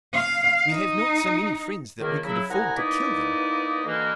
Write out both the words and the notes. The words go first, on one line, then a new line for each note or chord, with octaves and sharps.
"We have not so many friends that we could afford to kill them."
F5
D#4
C#2 D#3 A#3
C#3 F#3 E4
C2 F#5 G#5 A#5
A#3 B3 D#4 E4 D5 D#5
B2 D3 E3 A#3